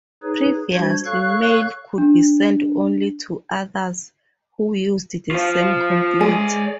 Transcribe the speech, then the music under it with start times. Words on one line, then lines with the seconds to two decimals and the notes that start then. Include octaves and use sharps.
Previously, mail could be sent only to others who used the same computer.
0.23 D#4 G#4 B4 C#5
0.74 G3 D4 F#4 C5 G#6
1.06 A4 C#5 F5 C#6 F#6
1.98 D4
5.31 F4 C5
6.21 G#3 G#4 D5 D#5